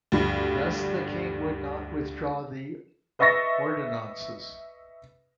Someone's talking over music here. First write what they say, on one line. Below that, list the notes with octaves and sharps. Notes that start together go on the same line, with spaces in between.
Thus, the King would not withdraw the "ordonnances".
D2 G2
B4 D#5 E5 C#6 A6 A#6